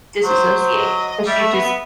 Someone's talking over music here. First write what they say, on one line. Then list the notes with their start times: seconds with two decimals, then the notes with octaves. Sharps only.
disassociate 'cause she just
0.24 F#3 C5
0.76 D#5
1.26 G3 E5
1.40 A3
1.52 B3
1.65 B3